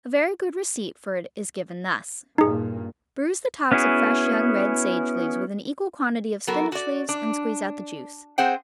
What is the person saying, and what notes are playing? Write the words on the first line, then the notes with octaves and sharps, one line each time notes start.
A very good receipt for it is given thus: Bruise the tops of fresh young red sage leaves with an equal quantity of spinach leaves and squeeze out the juice.
G2 A#2 D#4 G#4
B3 C#4 E4 F#4 G#4
F#3 B3 F#4 A4 A#4
F#4 D5
D4
C4 G#4 C5 F#5 G5